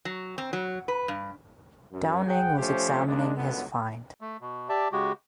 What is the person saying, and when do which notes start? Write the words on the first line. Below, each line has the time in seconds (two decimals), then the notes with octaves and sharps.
Downing was examining his find.
0.05 F#3
0.38 C4
0.53 F#3
0.88 B4
1.08 G2
1.92 F#2
2.26 G#4 F#5 G5
2.57 F3 A3 C#4 G4 C5
3.06 D#2 G#3 D4
3.36 G1 C#2 F#2 D3 B3
4.21 A3
4.41 B2
4.69 G4 D5 E5 A5
4.92 C#3 G#3 F#4 G4